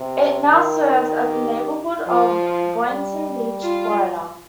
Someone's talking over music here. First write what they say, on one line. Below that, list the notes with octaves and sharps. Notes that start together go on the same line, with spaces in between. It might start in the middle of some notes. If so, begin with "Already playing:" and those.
It now serves as a neighborhood of Boynton Beach, Florida.
Already playing: C3
D#3
G4
F3 F4
G3
F4